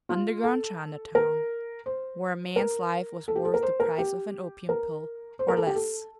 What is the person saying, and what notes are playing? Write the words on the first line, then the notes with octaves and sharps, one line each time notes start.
Underground Chinatown--where a man's life was worth the price of an opium pill--or less!
F4
A4
A#4
C5
A#4
A4
G4
A4
A#4
C5
A#4
G4
A#4
C5
A#4
A4
G4
A4